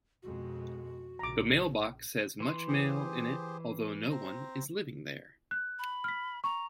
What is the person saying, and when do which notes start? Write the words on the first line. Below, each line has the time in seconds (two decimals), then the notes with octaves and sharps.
The mailbox has much mail in it although no one is living there.
0.23 F2 B2 G#3 F#4
1.19 A#1 C#3 A#5 D6
2.40 E3 C6
2.68 G4 G#4 C5
4.10 C4 C5 A#5
5.51 F#6
5.79 B5
6.04 F6 B6
6.44 A#5 C#6